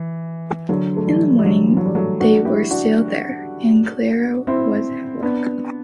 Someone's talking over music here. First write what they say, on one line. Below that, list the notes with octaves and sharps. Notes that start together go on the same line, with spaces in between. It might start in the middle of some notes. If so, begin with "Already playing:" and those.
In the morning they were still there, and Clara was at work.
Already playing: E3
D3 F#3
A3
E3 G3
G3
D3 F#3
E3
F#3
G3
F#3 A3
D4 F#4
E4 G4
D4 F#4
C4 E4
B3 D4